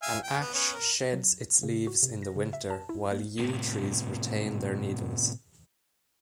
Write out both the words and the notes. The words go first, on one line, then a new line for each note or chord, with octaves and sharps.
An ash sheds its leaves in the winter, while yew trees retain their needles.
E5 F5 G#5
G5
B3
B3 C#4 C#5
A#4
F#3
C#3
F#4
C3
A#6
C#3
E5
A5
E4
A#3
A2 C3